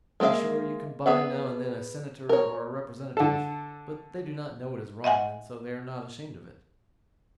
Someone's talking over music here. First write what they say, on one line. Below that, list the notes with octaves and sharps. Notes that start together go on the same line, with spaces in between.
To be sure you can buy now and then a Senator or a Representative but they do not know it is wrong, and so they are not ashamed of it.
G#3 A#3 F4 E5 F5
B3 G#4 E5 F#5
A#4 C#5
D3 A4
D#5 E5 F#5 G#5